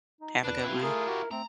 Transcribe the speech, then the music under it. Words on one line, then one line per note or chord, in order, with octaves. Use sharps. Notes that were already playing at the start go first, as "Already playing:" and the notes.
Have a good one.
D#4
E2 D4 B4
C4 E4 F4
A3 G#4 A#4
F#4 G4
A3 C4 A#5